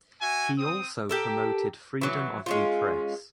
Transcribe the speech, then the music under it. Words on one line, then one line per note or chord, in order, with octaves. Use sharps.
He also promoted freedom of the press.
F#4 E5 G#5
C4 D#6
G4 A4 A#4
E3 F#3
G#3 C#4 F4